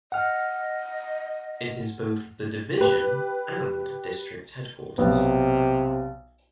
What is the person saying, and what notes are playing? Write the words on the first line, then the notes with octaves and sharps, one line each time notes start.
It is both the division and district headquarters.
D#5 F#5 F6
G4 B4
B1 C3 B3